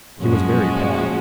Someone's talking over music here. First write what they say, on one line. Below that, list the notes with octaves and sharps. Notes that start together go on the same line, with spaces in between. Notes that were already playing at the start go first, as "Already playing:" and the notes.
He was very pale.
F#2 A#2 F3 G#3 C#4 F#4